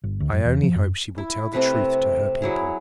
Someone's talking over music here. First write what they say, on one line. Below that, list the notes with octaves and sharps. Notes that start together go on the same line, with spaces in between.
I only hope she will tell the truth to her people.
G1
D2
F#2
E2
F3
F#2
E4
C3 A3 C4 B4
F#3 E4 G#4